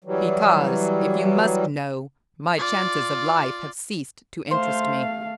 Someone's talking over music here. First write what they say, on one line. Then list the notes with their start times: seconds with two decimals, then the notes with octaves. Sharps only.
"Because--if you must know, my chances of life have ceased to interest me."
0.04 E3 F#3 G3
2.57 F4 D5
4.51 A3 C5 F5